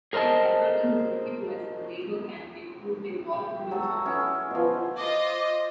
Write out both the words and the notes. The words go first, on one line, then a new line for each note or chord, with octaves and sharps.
McCafferty was selected to as a Labour candidate through an all-women shortlist.
G#4 A#4 C5 D#5 A5
G5
F#3 F#4 A4
C#4 E4 G#4
B2 F3
F4 C5 D#5 D6